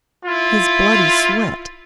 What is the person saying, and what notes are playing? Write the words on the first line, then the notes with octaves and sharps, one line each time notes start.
His bloody sweat.
E4 F4